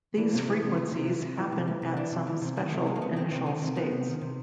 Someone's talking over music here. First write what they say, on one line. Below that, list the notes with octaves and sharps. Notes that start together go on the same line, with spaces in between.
These frequencies happen at some special initial states.
E3 D4
C3
E3
C3
E3
C3
E3
C3
E3
C3
E3
C3
E3 D4
C3
E3
C3
D#3 C4
C3 A3
D#3 G#3
A#3
C3 B3
D#3 C4
C3 C4
D#3 C#4
C3 C4
D#3 B3
C3
D#3
C3